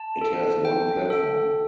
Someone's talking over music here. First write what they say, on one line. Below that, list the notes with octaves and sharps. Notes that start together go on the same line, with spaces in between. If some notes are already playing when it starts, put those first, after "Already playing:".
It has one platform.
Already playing: A5
A4
G5
A4